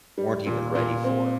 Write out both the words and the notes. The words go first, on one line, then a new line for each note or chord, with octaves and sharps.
weren't even ready for
G3
A#2
A#2
C4